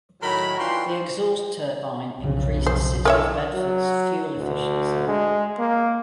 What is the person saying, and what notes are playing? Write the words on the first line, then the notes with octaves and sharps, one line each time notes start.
The exhaust turbine increased "City of Bedford"s fuel efficiency.
A2 D#3 F#3 A#4 B5
E3 D4 F4 F#4 G5 C6
B1 F2 C#3
C5
A#4 C#5 E5
F#3
D2
G#3
A#3